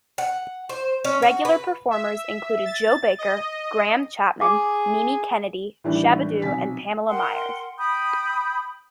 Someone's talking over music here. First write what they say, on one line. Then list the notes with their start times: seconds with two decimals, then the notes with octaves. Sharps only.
Regular performers included Joe Baker, Graham Chapman, Mimi Kennedy, Shabba-Doo and Pamela Myers.
0.18 F#5
0.69 C5
1.04 C#4
1.22 F#4
1.45 B4
1.91 E5
2.65 A6
3.18 D#5
4.41 G#4 D6
5.84 A2 D#3 E3 G3 D4
6.42 B1 C3 G#5 B6
7.08 A#4 F#5 G5 C6
7.78 G5 B5 D#6 G6